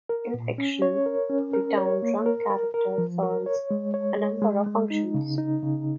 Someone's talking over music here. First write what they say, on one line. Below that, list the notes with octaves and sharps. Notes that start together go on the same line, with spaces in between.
In fiction, the town drunk character serves a number of functions.
A#4
A#2
C#4
C#5
A#4
C#4
A#4
C#5
A#3
A#4
A#4
A#4
F3
A#4
C#5
G#3
C#5
G#3
G#3
G#3
D#4
C#3
D#4
C#3